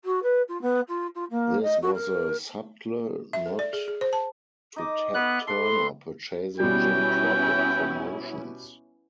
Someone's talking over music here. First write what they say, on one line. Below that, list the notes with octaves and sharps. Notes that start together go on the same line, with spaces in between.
This was a subtle nod to Ted Turner purchasing Jim Crockett Promotions.
F#4
B4
F4
B3
F4
F4
A#3
D#5
F#4
A#4
E5
A4
D5
G#4
G#4
C5
A5
D#4 D#5 D6
B3 E5 F#6
A4 B4 C6
B2 G3 B3 C#4 E4 G5